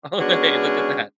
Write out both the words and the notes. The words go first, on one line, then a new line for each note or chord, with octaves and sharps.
Oh, hey, look at that.
G#3 B3 C#4 D4 F#4 G#4